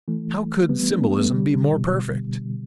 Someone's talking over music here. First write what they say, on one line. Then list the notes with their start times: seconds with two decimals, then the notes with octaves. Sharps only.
How could symbolism be more perfect?
0.08 E3 A3
0.69 G3 B3
0.90 A3 D4
1.10 G3 B3
1.22 A3
1.31 D3 G3
1.62 B2
1.77 B2